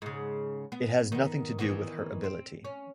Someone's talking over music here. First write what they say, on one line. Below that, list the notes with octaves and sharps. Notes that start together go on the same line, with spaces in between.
It has nothing to do with her ability.
G#2 C#3
B3
D#3 B3
D#3 E3 B3
C4
C#4